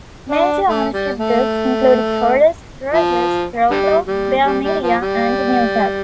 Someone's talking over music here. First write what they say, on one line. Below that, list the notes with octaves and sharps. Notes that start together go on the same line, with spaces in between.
Major ownership groups include Corus, Rogers, Rawlco, Bell Media and Newcap.
D4
A3
G3
A3
F3
D3 G3
G3
G3
G3
F3
G3